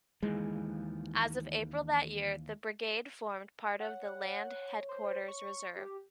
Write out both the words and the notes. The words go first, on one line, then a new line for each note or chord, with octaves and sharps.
As of April that year, the brigade formed part of the Land Headquarters Reserve.
D#2 E3 F3 G#3
C#5 F#5
C5
C#6
G4